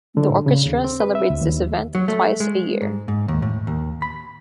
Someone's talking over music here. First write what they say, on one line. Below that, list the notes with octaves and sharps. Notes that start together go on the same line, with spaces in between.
The orchestra celebrates this event twice a year.
D3
A2
C#3
D#2
C4
B4
E5
D2
D#2
F#3
A3
G#3
G#2
G#2
D#2
A2
D#2
B5